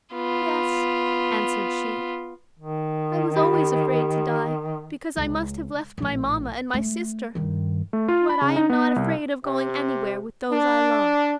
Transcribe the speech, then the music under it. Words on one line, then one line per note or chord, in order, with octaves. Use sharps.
"Yes," answered she, "I was always afraid to die; because I must have left my mamma, and my sister; but I am not afraid of going anywhere with those I love."
B3 F4
D#3
G4 B5
C#2
A#1 A2
A3
G2 D#3
A3
F4
B5
C#3
D#4
B3
C2
C3
D4